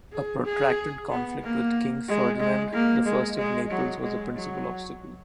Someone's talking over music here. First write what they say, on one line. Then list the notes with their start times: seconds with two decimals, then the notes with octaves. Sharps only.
A protracted conflict with King Ferdinand the First of Naples was the principal obstacle.
0.12 G#4
0.45 G#4
1.10 B3
1.42 A#3
2.08 G#3
2.40 G#3
2.73 A#3
3.05 G#3
3.37 G#3
3.71 F#3
4.03 G#3
4.36 F#3